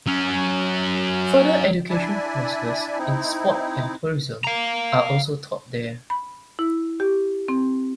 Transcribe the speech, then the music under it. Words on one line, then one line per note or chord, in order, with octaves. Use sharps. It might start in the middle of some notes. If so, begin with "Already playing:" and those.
Further Education courses in sport and tourism are also taught there.
F#3 C#4
D4 E4 D5 E5 G#5
C4 D#4 E4
F5 A#5
B5
E4
G4
C4